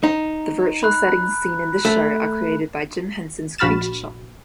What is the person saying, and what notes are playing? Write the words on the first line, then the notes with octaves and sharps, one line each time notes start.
The virtual settings seen in this show are created by Jim Henson's Creature Shop.
D#4 A#5
B5 F#6
A3
A#1 F#4 B5 F6 A6 E7